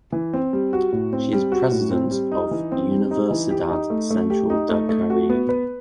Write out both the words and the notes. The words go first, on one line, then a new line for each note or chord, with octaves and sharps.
She is president of Universidad Central del Caribe.
E3
C4
G3
F#4
A2
C4
G3
F#4
A2
C4
G3
D#4
E3
C4
G3
D#4
E3
G4
D#4
A3
A3
G4
D#4
A3
A3
F#4
B3
B4